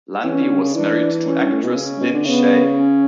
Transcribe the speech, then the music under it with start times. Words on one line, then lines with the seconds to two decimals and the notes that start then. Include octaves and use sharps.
Landey was married to actress Lin Shaye.
0.24 E3 C#4
0.40 D3
0.57 C#3
0.74 E3 D4
1.25 C#4
1.41 G2
1.52 A2
1.64 B2
1.75 C#3 C#4
2.01 B2
2.14 D3
2.26 C#3 B3
2.76 C#4